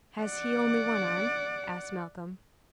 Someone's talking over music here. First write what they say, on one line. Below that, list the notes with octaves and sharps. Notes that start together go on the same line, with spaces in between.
"Has he only one arm?" asked Malcolm.
D5 F#5